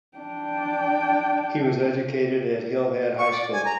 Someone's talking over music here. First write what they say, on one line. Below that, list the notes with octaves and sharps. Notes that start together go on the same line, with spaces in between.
He was educated at Hillhead High School.
D4 G5
C#6
D5
G#5
A#5